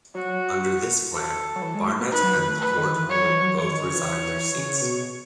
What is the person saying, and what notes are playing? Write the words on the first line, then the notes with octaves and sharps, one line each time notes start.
Under this plan, Barnett and Court would both resign their seats.
F#3 F#4
A4
F#3
E3
G#3
A3
B3
D#4 B4
F#3
D#3
A3
B4
D#3
E3
F#3 C#5
E3
F#3
E3 C#5
D#3
C#3
E3
C#3
B2